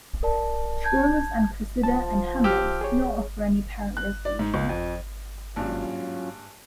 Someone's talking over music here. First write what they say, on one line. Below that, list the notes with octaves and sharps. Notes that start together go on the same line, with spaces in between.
"Troilus and Cressida" and "Hamlet" do not offer any apparent resolution.
A#4 D5 A5
A5 G6 G#6
F3 A5
G4 E6 F6
G#4 C#5
F#6
D5
G#2
C#2
F2
G#1 G2 A#2 F#3 C#4 F4